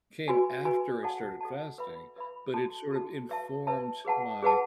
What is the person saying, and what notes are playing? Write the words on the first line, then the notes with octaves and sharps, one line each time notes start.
came after I started fasting, but it sort of informed my
F#4 B4 D#5 G#5
F#4 B4 D#5 G#5
A4 D#5 F#5 A5
A4 D#5 F#5 A5
B4 E5 B5
B4 E5 B5
F#4 A4 D#5 A5
F#4 A4 D#5 A5
B4 E5 A5
B4 E5 A5
G#4 B4 F#5 A5
G#4 B4 F#5 A5